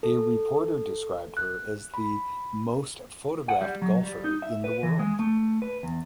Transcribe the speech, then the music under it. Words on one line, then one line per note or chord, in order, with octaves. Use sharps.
A reporter described her as the "most photographed golfer in the world".
A4
F#6
B5
F#5
G3
F#3
G3
D#4
E5
B4
E3
G#3
A3
B4
E2